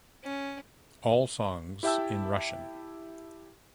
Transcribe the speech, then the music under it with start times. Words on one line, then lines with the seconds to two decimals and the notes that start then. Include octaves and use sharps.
All songs in Russian.
0.23 C#4
1.83 E4 G4 E5 G5 A5 E6